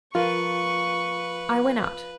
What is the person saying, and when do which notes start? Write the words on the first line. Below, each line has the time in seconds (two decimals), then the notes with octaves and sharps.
I went out.
0.15 F3 F4 A#4 B4 F5 C#6